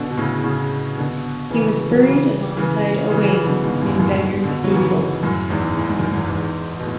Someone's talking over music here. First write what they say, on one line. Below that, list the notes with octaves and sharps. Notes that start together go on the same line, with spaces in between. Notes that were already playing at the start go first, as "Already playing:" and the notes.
He was buried alongside Owain in Bangor Cathedral.
Already playing: B2 D3
B2
A2 C#3
A2 C#3
B2 D3
C#3 E3
F#3
C#3 E3
C#3 E3
C#3 E3
C#3 E3
B2 D3
G#2 B2
F#2 A2
F#2 A2
G#2 B2
B2 D3
F#3
C#3 E3
F#2 A2
E2 G#2
A2
G#2
F#2
E2 G#2
E2 G#2
B2
A2